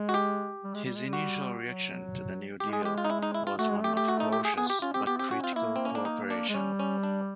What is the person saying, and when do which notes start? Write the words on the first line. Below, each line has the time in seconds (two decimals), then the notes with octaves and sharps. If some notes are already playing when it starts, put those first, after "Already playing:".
His initial reaction to the New Deal was one of cautious but critical cooperation.
Already playing: G#3
0.09 F#4
0.14 G4
0.64 G3
0.74 G#3
0.85 G3
0.96 G#3
1.07 G3
1.13 F#4
1.62 F#3
2.60 G#3 G4
2.73 G#4
2.85 G4
2.98 F4
3.05 D#4
3.10 E4
3.23 D#4
3.35 E4
3.47 F4
3.59 A3 F#4
3.70 G#3
3.81 A3 G4
3.97 G4
4.08 F#4
4.20 D#4
4.33 G4
4.45 G#4
4.57 B3 G#4
4.70 G4
4.82 C#4 F4
4.94 C4 G4
5.07 B3 G4
5.19 C4 G4
5.31 C#4 F#4
5.44 C4 F4
5.56 A#3 E4
5.76 C4
5.85 C#4
5.95 D4
6.05 D#4
6.30 D4
6.49 G#3
6.54 G3 C#4
6.79 C#4
7.03 D4